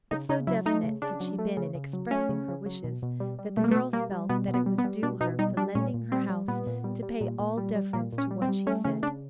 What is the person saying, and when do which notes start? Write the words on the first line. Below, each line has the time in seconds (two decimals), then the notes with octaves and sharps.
But so definite had she been in expressing her wishes, that the girls felt that it was due her for lending her house to pay all deference to what she said.
0.11 C#3 D#4
0.29 C#3 D#4
0.47 F#3 E4
0.66 A3 D#4
0.84 C#3
1.02 C#3 D4
1.20 F#3
1.39 A3
1.57 C#3
1.75 C#3
1.93 F#3
2.11 A3 C#4
2.29 C#3
2.48 C#3
2.66 F#3
2.84 B2
3.02 B2
3.20 G3
3.39 G3
3.57 B2 A3
3.64 A#3
3.71 A3
3.75 B2
3.93 G3 A#3
4.11 G3
4.29 B2 B3
4.48 B2
4.54 B3
4.66 G3
4.78 B3
4.84 G3
5.03 B2 D4
5.20 B2 D#4
5.39 G3 D#4
5.57 G3 D4
5.75 A#2 C#4
5.94 A#2
6.12 G3 C4
6.30 G3
6.48 A#2 B3
6.67 A#2
6.84 G3
7.03 G3
7.21 A#2
7.40 A#2
7.57 G3
7.75 G3
7.93 A#2 A#3
8.13 A#2
8.18 C#4
8.31 G3
8.42 C4
8.49 G3
8.67 A3 C#4
8.84 C#3 C#4
9.03 C#3 D4